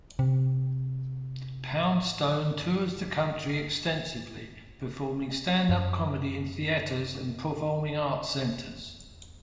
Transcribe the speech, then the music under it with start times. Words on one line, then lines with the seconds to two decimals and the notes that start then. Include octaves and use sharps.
Poundstone tours the country extensively, performing stand-up comedy in theaters and performing arts centers.
0.19 C3
1.76 A2
2.55 G2
4.03 F#2
4.13 G2
5.69 F#2
8.84 E2
8.96 F#2
9.08 E2